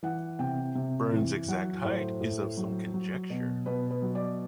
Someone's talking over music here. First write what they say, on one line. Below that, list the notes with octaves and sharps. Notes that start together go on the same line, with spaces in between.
Byrne's exact height is of some conjecture.
E3 F#5
C3 G5
C3
E3
F#3 F#5
A2 C5
A2
F#3
F#3
B2
B2 B4
B4
F#3
D5